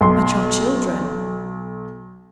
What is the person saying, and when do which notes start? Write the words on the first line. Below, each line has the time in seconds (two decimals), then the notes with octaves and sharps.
"But your children?"
0.01 B1 C6